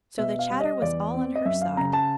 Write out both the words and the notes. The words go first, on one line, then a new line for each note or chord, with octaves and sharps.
So the chatter was all on her side.
B2 E5
F5
G3
D#5
E2 D5
C4
D#5
F#2 E5
F5
C#3 A#5
A5